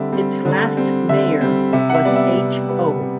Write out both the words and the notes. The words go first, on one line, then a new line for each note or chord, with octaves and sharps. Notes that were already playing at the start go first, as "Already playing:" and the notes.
Its last mayor was H. O.
Already playing: D3 G3 C4 D5 E5
G3 C4
D3
G3 C4
D3 E5
G3 C4
C3 E5
F#5
E5
G3 B3 D5
E5
C3
G3 B3
C3